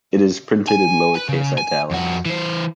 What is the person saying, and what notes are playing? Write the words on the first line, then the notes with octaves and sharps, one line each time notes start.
It is printed in lowercase italics.
G#5
B4
C#3
G#5
F2 F#4
E3 C5